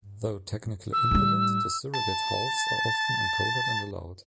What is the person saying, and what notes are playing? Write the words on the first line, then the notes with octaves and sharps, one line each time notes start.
Though technically invalid, the surrogate halves are often encoded and allowed.
E6
A2 G3
A5 A6